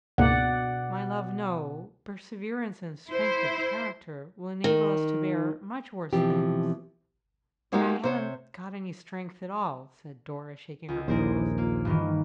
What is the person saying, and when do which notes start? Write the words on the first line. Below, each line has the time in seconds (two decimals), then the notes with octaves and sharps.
'My love, no. Perseverance and strength of character will enable us to bear much worse things.' 'But I haven't got any strength at all,' said Dora, shaking her curls.
0.18 C#2 G#2 B2 A#3 D5 F#5
3.10 E4 C5
4.64 D#3
6.13 B2 E3 F3 C4 G4
7.72 G#3 A#3 D#4 F#4 G4
8.03 C3 C5 C#5
10.88 C#2 F4
11.08 A#1 D#2 E4 G#4 A#4 C5
11.58 A#3 F4
11.85 G2 D#3 E3